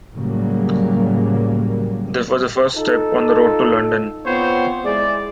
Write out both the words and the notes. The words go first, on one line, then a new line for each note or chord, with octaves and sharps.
This was the first step on the road to London.
A2 C#3 F#3 G3 A#3
D#4 F4 A4
B3 C4 F4 C5 C#5
G#3 E4 G#4 D5